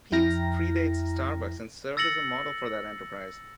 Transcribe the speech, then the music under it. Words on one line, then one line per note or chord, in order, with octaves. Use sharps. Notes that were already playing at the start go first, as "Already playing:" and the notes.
Peet's predates Starbucks and served as a model for that enterprise.
F2 E4 G5 A#5 F6 A#6
E6 A6 A#6 C#7 F#7